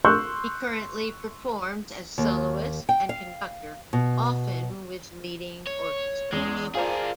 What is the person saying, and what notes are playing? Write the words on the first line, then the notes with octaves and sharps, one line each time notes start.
He currently performs as soloist and conductor, often with leading orchestras.
C6 C#6 E6 F#6 G6
D#2
G5
F5
B2
C#5
E2 G#3 C#4
F4 G#4 A#4 C5 D5